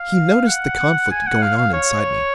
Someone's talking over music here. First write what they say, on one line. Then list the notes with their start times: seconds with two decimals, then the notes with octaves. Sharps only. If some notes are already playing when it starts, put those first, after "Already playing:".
He noticed the conflict going on inside me.
Already playing: F5
0.48 F#5
1.11 G#5
1.27 F#5
1.42 F5
1.57 F5
1.74 C#5